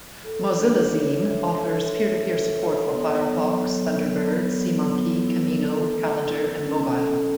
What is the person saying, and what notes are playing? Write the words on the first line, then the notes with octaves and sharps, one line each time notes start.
MozillaZine offers peer-to-peer support for Firefox, Thunderbird, SeaMonkey, Camino, Calendar and Mobile.
A4
D4
C#5
E5
A4
E5
A4
C#5
B3
F#3
F#3
F#3
B3
F#3
B3
E4
A4
A3
E4
C#4
A4